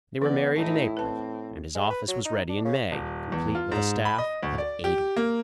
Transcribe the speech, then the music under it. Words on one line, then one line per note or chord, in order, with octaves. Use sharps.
They were married in April and his office was ready in May, complete with a staff of eighty.
E3 B3 C#4 D5
A2 D#4 E4 A5
C4 B4 A5
G#3
B4
F#3
D#4
D4
C#3
D#1
E2
F4
G#2
B5
D#5
D2
D5
G4
A#3